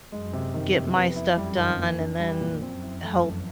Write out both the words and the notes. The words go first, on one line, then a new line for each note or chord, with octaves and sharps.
get my stuff done and then help
F#2 G#3
C3
F2 D#3
C3
B3
E4
F#2 G3
D#3
F2 A#3
D4
G3
A#2
F#2 C4
E4
F2 A3
E3